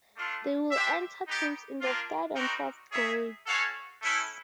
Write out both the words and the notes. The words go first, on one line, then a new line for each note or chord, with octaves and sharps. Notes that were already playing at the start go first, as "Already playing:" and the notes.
They would enter teams in the third and fourth grades.
A3 D4 F4
D4 G4 C5 E5
B3 D#4 G4
A#3 D4 F4
G3 C4 D#4 F#4 A#4
D#4 G#4 C#5 E5
C#4 F#4 A4 C#5 F5
A3 C#4 E4